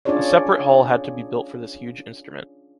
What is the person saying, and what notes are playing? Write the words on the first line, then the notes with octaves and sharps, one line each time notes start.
A separate hall had to be built for this huge instrument.
C#4 D4 F4 G#4 C#5 D5